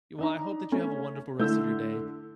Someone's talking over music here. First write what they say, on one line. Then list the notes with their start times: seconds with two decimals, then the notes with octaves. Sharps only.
Y well, I hope that you have a wonderful rest of your day.
0.19 D4 D#4 A#5
0.72 A3 C#4
1.40 D3 A3 E4 E6 G6